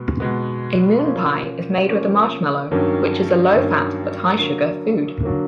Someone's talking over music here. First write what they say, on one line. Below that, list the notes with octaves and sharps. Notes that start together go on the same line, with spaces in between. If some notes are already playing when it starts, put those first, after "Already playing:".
A MoonPie is made with marshmallow, which is a low-fat but high-sugar food.
Already playing: B2 G#3 B3
B2 G#3 B3
F3 A#3 C#4
F3 A#3 C#4
G2 D#3 F#3 A#3 C#4
G2 D#3 F#3 A#3 C#4
D3 F#3 A#3
D3 F#3 A#3